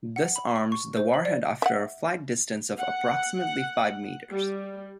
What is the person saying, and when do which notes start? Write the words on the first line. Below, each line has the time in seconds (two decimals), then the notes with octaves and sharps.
This arms the warhead after a flight distance of approximately five meters.
0.16 F#5
0.36 B5
0.56 C#6
0.72 C#6
0.97 C5
1.14 F#7
1.25 D5
1.62 E5 F#5
2.78 F#5
4.30 G3